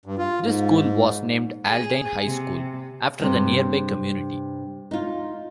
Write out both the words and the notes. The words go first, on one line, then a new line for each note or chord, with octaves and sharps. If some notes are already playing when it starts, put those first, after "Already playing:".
This school was named Aldine High School, after the nearby community.
G2
F4
G#2
G#4
C3
G2 C3
D#4 F4